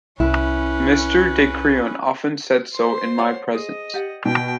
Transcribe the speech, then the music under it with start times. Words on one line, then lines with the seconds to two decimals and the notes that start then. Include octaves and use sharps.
Mr. de Crillon often said so in my presence.
0.20 C2 C#4 E4 B4
2.73 C5 C6
3.18 C#5 D5 F#5
3.54 G#4 D#5
3.94 G4 D5 F#5
4.26 B2 G5